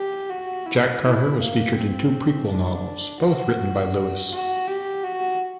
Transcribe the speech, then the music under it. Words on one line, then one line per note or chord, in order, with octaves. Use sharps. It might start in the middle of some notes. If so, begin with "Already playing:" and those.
Jack Carter was featured in two prequel novels, both written by Lewis.
Already playing: G4
F#4
E4
E4
A#3
C4
D4
F#4
F#4
G4
F#4